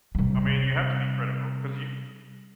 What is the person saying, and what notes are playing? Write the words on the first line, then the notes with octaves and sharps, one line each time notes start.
I mean, you have to be critical, 'cause you
C3 G3